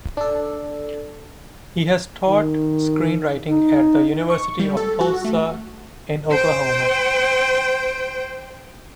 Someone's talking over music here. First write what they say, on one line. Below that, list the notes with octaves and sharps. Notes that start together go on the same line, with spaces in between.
He has taught screen writing at the University of Tulsa in Oklahoma.
D4 A4
D#3
D#4
C#6
G3
A4
F#4
A3
C5 G5